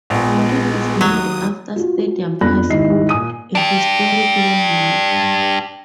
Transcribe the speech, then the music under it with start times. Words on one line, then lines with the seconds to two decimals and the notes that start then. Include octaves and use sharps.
It is named after Stadium High School, a historic landmark.
0.10 A#1 G#3 B3
1.01 D#2 F#3 D#6
1.76 F4 F#4
2.41 F2 B3 D4 B5 F#6 A#6
2.69 D#2 G#2 E4 D#5 C7
3.09 A#2 G#5 D#6 D#7
3.55 D4 G4